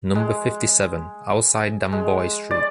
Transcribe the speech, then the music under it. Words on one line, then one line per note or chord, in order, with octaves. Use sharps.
Number fifty-seven, Alcide Damboise street.
G#3
G#3
D5